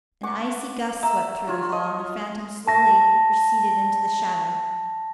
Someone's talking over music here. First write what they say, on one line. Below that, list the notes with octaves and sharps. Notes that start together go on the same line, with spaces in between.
An icy gust swept through the hall, and the phantom slowly receded into the shadow.
F#5 C#6 D6
E5 A#5
F#3 F4 C#5
D#5
A5 A#6